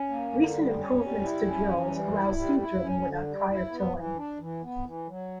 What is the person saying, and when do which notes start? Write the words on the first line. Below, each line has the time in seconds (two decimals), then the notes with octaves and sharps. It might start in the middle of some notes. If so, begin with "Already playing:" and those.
Recent improvements to drills allow seed-drilling without prior tilling.
Already playing: C#4
0.09 A#3
0.33 D3
0.55 G3
0.78 C#4
1.01 G3
1.23 E4
1.46 C#4
1.68 E3
1.90 G3
2.13 E4
2.36 G3
2.59 E4
2.81 C#4
3.04 D3
3.26 G3
3.49 E4
3.71 B3
3.95 E3
4.17 D4
4.40 E3
4.63 B3
4.85 E3
5.07 F#3